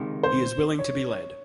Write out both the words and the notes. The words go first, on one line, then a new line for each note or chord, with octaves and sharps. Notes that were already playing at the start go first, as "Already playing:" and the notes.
He is willing to be led.
Already playing: C#2 C3 D#3 G#3
C5
C#5